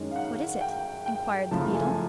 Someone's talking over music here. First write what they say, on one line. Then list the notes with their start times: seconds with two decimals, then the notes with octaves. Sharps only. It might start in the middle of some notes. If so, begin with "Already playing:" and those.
'What is it?' inquired the beadle.
Already playing: F#2 D#3 G#3 C#4
0.11 F5
0.16 F#5
0.61 G5
1.06 G5
1.51 F#1 F#2 C#3 F3 A3 A5
1.74 G#5